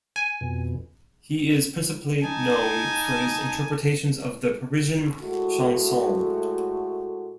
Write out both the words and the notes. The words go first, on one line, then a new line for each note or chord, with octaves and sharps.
He is principally known for his interpretations of the Parisian chansons.
G#5
F2 B2
D#4 G#5 A5
A2 G#3 A3 F#4